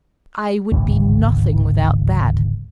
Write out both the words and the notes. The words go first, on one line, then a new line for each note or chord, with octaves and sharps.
I would be nothing without that.
D1 G#1 C#2